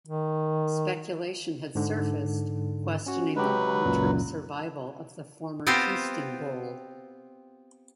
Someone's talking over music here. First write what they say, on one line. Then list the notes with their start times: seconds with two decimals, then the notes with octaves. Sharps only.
Speculation had surfaced questioning the long-term survival of the former Houston Bowl.
0.07 D#3
1.75 G#2 D3
3.06 C#4 F#4
3.36 F#3 G#3 G4 B4
3.85 C#2 F#2 A#2
5.67 B3 C4 F4 G4 C5